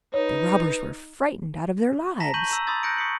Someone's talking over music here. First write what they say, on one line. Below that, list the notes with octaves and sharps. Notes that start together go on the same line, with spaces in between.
The robbers were frightened out of their lives.
D#4 B4 C#5
A5 A#5 A#6 B6
C#6 G6 D#7 F#7
A#5 E6
B5 C6 D#6 E6 G#6 A6
F#6 G6 A#6 C#7 D7
C#6 D#6 B6 C#7 F#7